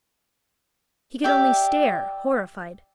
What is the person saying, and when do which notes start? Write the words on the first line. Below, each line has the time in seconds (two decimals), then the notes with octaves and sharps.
He could only stare, horrified.
1.24 G4 D5 E5